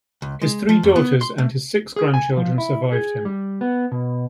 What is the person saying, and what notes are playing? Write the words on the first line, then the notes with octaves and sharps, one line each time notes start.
His three daughters and his six grandchildren survived him.
C#2
G#3
F3
F2
B3
C6
A3
G#4
G#5
F3
E4
G#4
G3
B3
B2